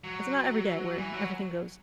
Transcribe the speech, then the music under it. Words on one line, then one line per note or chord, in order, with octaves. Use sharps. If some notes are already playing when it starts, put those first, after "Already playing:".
It's not every day where everything goes
F#3
E3
F#3